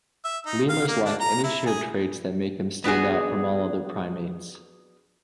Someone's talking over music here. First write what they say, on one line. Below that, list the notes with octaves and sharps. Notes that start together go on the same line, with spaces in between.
Lemurs lack any shared traits that make them stand out from all other primates.
E5
D#4
F5
A#3
D4
A#5
E4
G#4
B3 D4 F#4 G#4